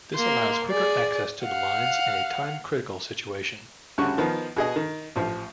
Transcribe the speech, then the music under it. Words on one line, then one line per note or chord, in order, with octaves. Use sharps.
This allows quicker access to the lines in a time-critical situation.
A#3 C6
G#4 D5
F5 F#5
D2 C#3 G3 F#4 C#6
D#3 F3 B3
B2 G#4 D#5
D#3
A1 F3